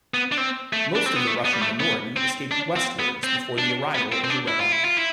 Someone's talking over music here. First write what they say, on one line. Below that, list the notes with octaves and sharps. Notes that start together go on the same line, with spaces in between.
Most of the Russian minority escaped westwards before the arrival of the Red Army.
B3
D4
C4
A3
D4
C4
B3
A3
B3
G3
A3
B3
C4
D4
C4
B3
C4
D4
B3
C4
C4
D4
E4
F4
E4
F4
E4